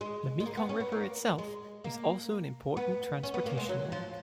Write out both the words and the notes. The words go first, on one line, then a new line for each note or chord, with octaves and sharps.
The Mekong River itself is also an important transportation link.
G#3
G#3
A#3
B3
C#4
B3
A#3
G#3
A#3
B3
C#4
B3
A#3
G#3
F#3
F3